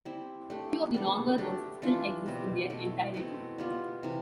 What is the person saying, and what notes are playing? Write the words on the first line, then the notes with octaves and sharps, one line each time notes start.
Few of the longer roads still exist in their entirety.
G3 C4 E4
A3 D4 G4
G3 B3 D4 A4
A3 D4 G4
E3 A3 D4 F4
B2 G3 C4
B2 A3 E4
B2 A3 C4 E4
G3 B3 F4
C3 E3